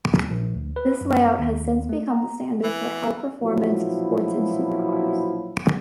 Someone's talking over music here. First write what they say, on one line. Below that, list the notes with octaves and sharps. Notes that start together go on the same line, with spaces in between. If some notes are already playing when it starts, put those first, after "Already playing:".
This layout has since become the standard for high-performance sports and supercars.
D#2
A#1
D2
B4
F#2
D#2
A3
A#5
E3
A#1 B2 F3 F#3 E4